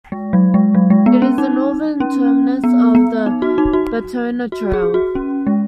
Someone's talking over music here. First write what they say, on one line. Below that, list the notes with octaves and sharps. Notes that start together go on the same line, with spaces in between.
It is the northern terminus of the Batona Trail.
G#3
F#3
G#3
F#3
G#3
B3
C#4
D#4
C#4
B3
B3
D#4
F#4
D#4
F#4
F#4
G#4
F#4
C#4
G#3